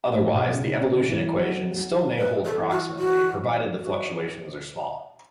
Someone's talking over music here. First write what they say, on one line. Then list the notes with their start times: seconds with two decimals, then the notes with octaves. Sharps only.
Otherwise, the evolution equations still may hold approximately, provided fluctuations are small.
0.13 A2
0.34 B2
0.54 C#3
0.81 C#3
1.09 E3
1.36 F#3
1.76 F#3
2.18 B4
2.45 A4
2.58 E3
2.71 F#4
2.99 F#4
3.80 F#4